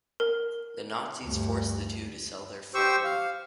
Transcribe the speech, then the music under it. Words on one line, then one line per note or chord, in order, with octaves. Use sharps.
The nazis forced the two to sell their firm.
A#4
D2 G2
G4 C5 C#6 E6
F5